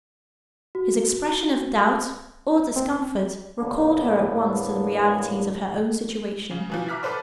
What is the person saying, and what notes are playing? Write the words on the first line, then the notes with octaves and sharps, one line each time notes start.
His expression--of doubt or discomfort--recalled her at once to the realities of her own situation.
F#4
C4
E2 A2 D3 A#3 B3 D4
C#3
B2 E3 F3
E5 A#5 D6 F6 F#6 B6
A4 B4 C5 D5